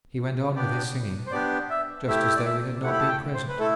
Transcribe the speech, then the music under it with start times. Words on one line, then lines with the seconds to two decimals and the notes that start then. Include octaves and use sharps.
He went on with his singing, just as though we had not been present.
0.56 B3 D4 G4 D5
1.26 C5
1.31 B3 D4 G4 D5
1.70 E5
2.07 A3 E4 G4 E5
2.36 D5
2.45 E5
2.83 A3 E4 G4 F#5
2.93 B5
3.00 A5
3.08 G5
3.34 C5
3.48 B4
3.58 A3 E4 A4